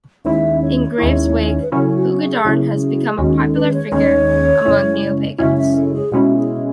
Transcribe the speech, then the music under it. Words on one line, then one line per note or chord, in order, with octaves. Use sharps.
In Graves' wake, Hu Gadarn has become a popular figure among Neopagans.
D#2 D#3 G#3 C#4 E4 E5
C#5
D#2 D#3 G#3 C#4 E4
B4
C#3 F#3 C#4 E4 A4
F#4
G#4
C#3 F#3 C#4 E4
D#2 D#3 G#3 C#4 F#4
A4
B4
C#5
D#2 D#3 G#3 C#4 C#5
F#2 C#3 G#3 C#4 E4
F#2 C#3 G#3 C#4 E4 E5
E5
A4
G#4
B2 G#3 C#4 E4 F#4
G#4